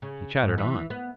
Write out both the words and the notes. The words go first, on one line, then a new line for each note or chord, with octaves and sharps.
He chattered on.
C#3
G#2
E3
B3